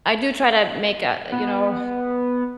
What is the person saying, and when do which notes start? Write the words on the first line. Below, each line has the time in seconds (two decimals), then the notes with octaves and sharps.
I do try to make, uh, you know,
1.32 B3